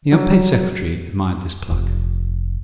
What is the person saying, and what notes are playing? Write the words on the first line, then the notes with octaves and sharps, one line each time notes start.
The unpaid secretary admired this pluck.
F#3
F1